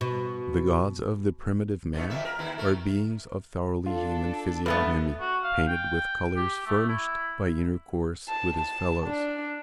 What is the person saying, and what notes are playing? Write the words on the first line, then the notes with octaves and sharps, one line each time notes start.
The gods of the primitive man are beings of thoroughly human physiognomy, painted with colors furnished by intercourse with his fellows.
B2
G2 B2 A3
F2 A#3 E5
A#4
D#2 E4
A3 A#4
D4 F4 A4
G2 A3 B3 B4 E5
F#4
F5
G5
G4
A3
E4
A5
A5
D4